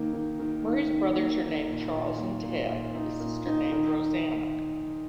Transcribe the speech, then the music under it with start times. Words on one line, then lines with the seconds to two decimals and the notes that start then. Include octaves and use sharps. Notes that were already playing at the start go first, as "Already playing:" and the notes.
Murray's brothers are named Charles and Ted, with a sister named Roseanna.
Already playing: D#3 A#3
0.13 D#3
0.39 D#3
0.65 D#3
0.91 D#3
1.16 A#3
1.42 D#3
1.67 A#2
1.93 A#2
2.18 A#2
2.43 A#2
2.69 A#2
2.95 D#4
3.20 A#2
3.47 D#4
3.72 D#3